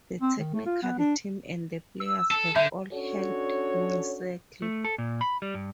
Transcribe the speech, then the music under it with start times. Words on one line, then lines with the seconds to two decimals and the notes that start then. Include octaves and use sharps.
The technical team and the players have all helped me settle.
0.21 C4
0.39 D#3
0.54 A3
0.66 F4
0.83 B3
0.99 D4
2.00 E6
2.31 A4
2.56 D3 E5 G6
2.93 C#4 D4 F#4 A4 C#5
4.62 A3
4.84 A4
4.98 A#2
5.21 B5
5.42 G3
5.54 G2